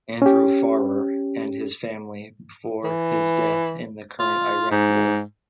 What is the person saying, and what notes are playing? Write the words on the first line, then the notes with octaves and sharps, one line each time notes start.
Andrew Farrar and his family before his death in the current Iraq War.
C#4 G4
E3
F4
G#2